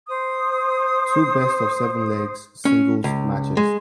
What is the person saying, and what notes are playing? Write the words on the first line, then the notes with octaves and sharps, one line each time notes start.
Two best of seven legs singles matches.
C5 D#6
C#4
C#2
G#3